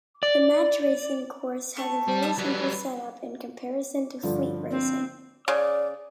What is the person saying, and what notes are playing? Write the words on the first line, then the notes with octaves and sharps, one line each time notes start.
The Match Racing course has a very simple setup in comparison to fleet racing.
D5
A3 C#6
G3
E4 A5 D#6
F#3 G3 B4
G2 D3 F3
C4
C#3 D5